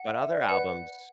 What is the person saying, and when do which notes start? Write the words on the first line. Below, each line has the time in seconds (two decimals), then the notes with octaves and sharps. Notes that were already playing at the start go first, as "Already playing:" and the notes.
But other albums,
Already playing: F#5
0.13 E5
0.32 D5
0.49 B4 F#5